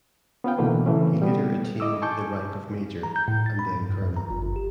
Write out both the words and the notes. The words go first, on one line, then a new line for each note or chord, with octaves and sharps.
He later attained the rank of Major, and then Colonel.
B3 C#4 F4 B4 F5 G5
B2 D3 E3 A3 A#3 B4
C#3 E3 A3 C4 C#4
G3 A3 B3
E4 D#5 D6 E6
G#5 A5 C#6 D6 G6
A#5
G6
A2
A6
B5
G2
G2
F#2
A#5
G1
G1
G4